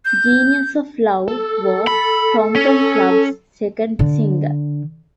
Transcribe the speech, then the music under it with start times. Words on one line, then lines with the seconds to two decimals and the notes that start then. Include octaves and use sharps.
"Genius of Love" was Tom Tom Club's second single.
0.05 G6
1.28 A4
1.87 B5
2.56 C#4
3.99 D3